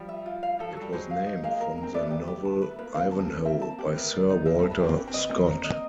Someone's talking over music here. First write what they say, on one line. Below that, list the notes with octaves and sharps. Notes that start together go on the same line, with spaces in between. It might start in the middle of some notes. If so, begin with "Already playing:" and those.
It was named from the novel "Ivanhoe" by Sir Walter Scott.
Already playing: F3 G3
E5
F4
F5
F3 A4
F#3
G3 A4
F#3 G#3 C5
F5
D#4
G#3 A#3 F5
A#4
A#4
C4
A3 B3 D5
G4
G4
A5
B4
A3
A#3 B4
B3
A#3 C4 F5
B3 C#4 A5
A#3 C4
B3 C#4 A4
A#3 C4 E5
A5
G4
A#3
A3 B3 A#4
D5
D#4
G#3 A#3 E5
G3 A3 A5
A3 B3
A#3 C4 G4
C#4 B4
C4
B3 D#5
A#3 C4 C#4
A#4
D#5